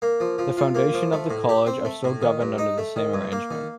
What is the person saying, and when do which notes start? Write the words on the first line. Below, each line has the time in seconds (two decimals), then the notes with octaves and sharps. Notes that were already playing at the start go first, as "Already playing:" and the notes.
The foundation and the college are still governed under the same arrangement.
0.02 A#3
0.20 F3
0.38 F3
0.57 F4
0.75 A#3
0.94 F3
1.13 A3
1.30 A2
1.49 G4
1.66 C4
1.85 A3
2.04 A2
2.22 D#3
2.41 G2
2.58 D#4
2.78 A3
2.96 D#3
3.14 G2
3.32 A#3
3.51 D#3